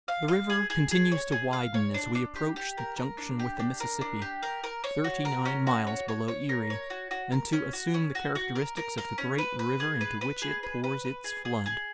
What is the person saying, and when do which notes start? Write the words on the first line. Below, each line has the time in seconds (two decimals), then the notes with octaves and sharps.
The river continues to widen as we approach the junction with the Mississippi,--thirty-nine miles below Erie,--and to assume the characteristics of the great river into which it pours its flood.
0.08 F5
0.28 F5
0.50 G#4
0.70 G#4
0.91 G#4
1.12 C#5
1.32 G#4
1.53 F5
1.74 C#5
1.94 D4
2.15 D4
2.36 G4
2.56 G4
2.78 A#4
2.97 A#4
3.18 D4
3.39 G4
3.59 D4
3.80 A#4
4.01 D4
4.22 G4
4.43 A#4
4.64 A#4
4.84 C#5
5.04 F#4
5.25 A#4
5.45 C#4
5.67 F#4
5.87 C#5
6.08 C#5
6.28 C#5
6.49 A#4
6.70 C#5
6.90 F#4
7.11 F#4
7.32 A#4
7.53 C#4
7.73 F#4
7.94 C#4
8.15 F#4
8.35 F#4
8.55 A#4
8.77 A#4
8.98 A#4
9.18 C#4
9.38 B4
9.59 B4
9.80 G#4
10.01 B4
10.21 B4
10.42 G#4
10.63 B4
10.84 B4
11.05 B4
11.24 G#4
11.45 G#4
11.66 G#4